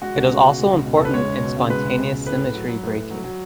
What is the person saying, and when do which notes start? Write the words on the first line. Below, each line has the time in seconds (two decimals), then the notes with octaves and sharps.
It is also important in spontaneous symmetry breaking.
0.02 G#3 F#4
0.15 C#2
0.29 B2
0.43 C#2
0.58 G#3
0.72 C#2
0.85 B2
0.97 A4
1.01 C#2 B4
1.14 G#3 C#5
1.28 C#2
1.43 B2
1.57 C#2
1.70 G#3 B4
1.85 C#2
1.98 B2
2.12 C#2
2.27 A2 B4
2.41 A2
2.54 F#3
2.68 F#3
2.83 A2
2.96 A2
3.10 F#3
3.24 F#3